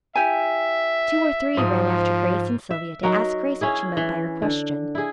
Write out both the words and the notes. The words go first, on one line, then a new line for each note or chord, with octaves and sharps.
Two or three ran after Grace and Sylvia to ask Grace what she meant by her question.
E4 G4 E5 G#5
G#2 F3 D#6
E5
F#3 D#4 F#4 A#4
C#4 E4 G#4
E3
D3
E4 G#4